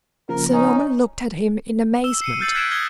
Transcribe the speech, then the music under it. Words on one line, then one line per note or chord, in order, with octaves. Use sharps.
Sir Norman looked at him in amazement.
C#3 F3 A#3 A#4
C#4 D#4 C#5 F#5
E6 E7 G7
C7 C#7 D#7
E6 F6 G6 A6 C7 F#7
F#6 G#6 B6 C7 D7 E7
D#6 F6 G#6 A#6 E7 G7